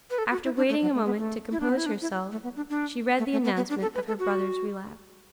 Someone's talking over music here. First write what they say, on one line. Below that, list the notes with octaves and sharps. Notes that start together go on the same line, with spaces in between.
After waiting a moment to compose herself, she read the announcement of her brother's relapse.
B4
A4
F#4
E4
D4
A3
F#3
A3
B3
A3
E4
D4
B3
E4
D4
E4
A3
B3
D4
D4
A3
A3
B3
B3
D4
A4
B4
A4
F#4